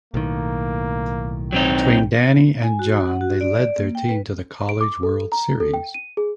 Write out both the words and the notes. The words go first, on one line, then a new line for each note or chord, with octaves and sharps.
Between Danny and John they lead their team to the college World Series.
B1 A2 D#3 A#3
F#3 C4 D#4 G5
G#5
F#4
F#5
F#4
D5
D5
A#3
G5
B4
D7
D6
A4
A#5
A4
G5
D#7
G#4